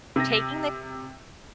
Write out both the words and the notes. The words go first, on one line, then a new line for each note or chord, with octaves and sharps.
Taking the
C3 A#6